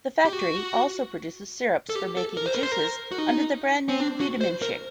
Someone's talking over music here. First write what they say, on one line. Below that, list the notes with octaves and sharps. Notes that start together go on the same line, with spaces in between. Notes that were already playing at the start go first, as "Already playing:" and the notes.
The factory also produces syrups for making juices under the brand name Vitaminchick.
G4
F#4
A4
G4
A4
A#4
C5
A#4
C5
A#4
F#4
D#4
C4
D4
F#4
C5
A#4